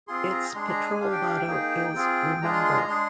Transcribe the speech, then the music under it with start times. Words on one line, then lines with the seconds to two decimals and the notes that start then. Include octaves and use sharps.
Its patrol motto is Remember!
0.08 C4 F4 G#4 C6
0.31 A#5
0.54 G#3 D4 G#4 C6
0.69 A#5
0.85 G#5
1.01 D4 G4 F5
1.12 G5
1.25 F5
1.36 G5
1.47 A#3 D#4 G#4
1.95 C4 F4 G#4
2.42 G#3 D4 F4 G#4 A#5
2.53 C6
2.65 C6
2.77 A#5
2.88 G#3 D4 G#4 C6